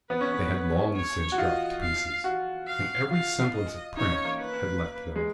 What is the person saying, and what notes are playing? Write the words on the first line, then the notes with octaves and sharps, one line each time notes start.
They had long since dropped to pieces, and every semblance of print had left them.
B3 B4
C#4
C#4
C#5
F#4
F4 D#5
F5
F#4
F5
F4 F5
D#5
D#4 C#5
C#4
A#3
B4
G#3